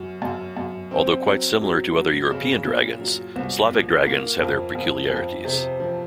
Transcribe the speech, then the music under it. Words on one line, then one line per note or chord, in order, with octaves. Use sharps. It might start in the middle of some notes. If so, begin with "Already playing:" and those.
Although quite similar to other European dragons, Slavic dragons have their peculiarities.
Already playing: F#2
F#2
F#2
C4
F#3
F#3
F#3
C#3
A#2
F#3
C2
A#2
A#3
F2
F2
F2
C3
F3